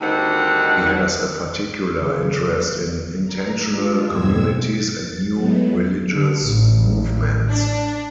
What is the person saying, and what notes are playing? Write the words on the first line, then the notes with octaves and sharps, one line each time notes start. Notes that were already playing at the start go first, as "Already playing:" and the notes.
He has a particular interest in intentional communities and new religious movements.
D2 D#3 G3 C4 D#4 F#5
C#3
A#5
G#3 D4 F4
E2 G2 B2 C4 E6 G#6
A6
F#3 G#3 A3 B3
D3
A1
D4